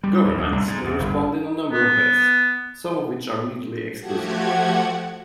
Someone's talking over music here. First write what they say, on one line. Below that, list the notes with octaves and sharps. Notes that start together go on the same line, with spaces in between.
Governments may respond in a number of ways, some of which are mutually exclusive.
G3
D#2
D2
C2
G#2
E2
G1
B3
F3 A3 F#4 G4 F#5 G#6